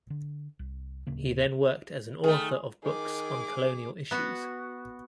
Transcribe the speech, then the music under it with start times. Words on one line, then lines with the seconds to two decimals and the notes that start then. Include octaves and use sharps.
He then worked as an author of books on colonial issues.
0.10 D3
0.59 C2
1.07 D1 C#3 A#3
2.24 D#3 A3 G#4
2.84 D#3 G#4 D6
4.11 B3 F#4